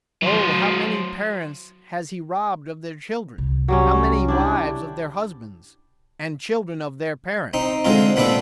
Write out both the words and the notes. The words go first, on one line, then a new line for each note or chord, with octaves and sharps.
O how many Parents has he robb'd of their Children, how many Wives of their Husbands, and Children of their Parents?
F#3 C5
C2
F#3 G3 C#4
D4 E4 G4
C4 D#4
D3 G#3 C4 F4
A#2 B3 C4 D4 B4 E5